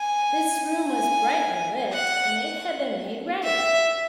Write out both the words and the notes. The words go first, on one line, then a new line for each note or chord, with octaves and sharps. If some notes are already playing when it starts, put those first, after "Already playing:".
This room was brightly lit; and it had been made ready.
Already playing: G#5
G#5
F#5
E5